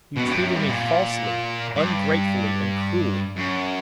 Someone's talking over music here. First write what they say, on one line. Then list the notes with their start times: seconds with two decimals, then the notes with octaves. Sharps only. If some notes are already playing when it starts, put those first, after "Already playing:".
You treated me falsely, ungratefully, and cruelly.
0.16 B2
0.24 F#2
0.29 G2
0.42 F#2
0.55 G2
0.69 A#2
1.75 G2
3.37 F#2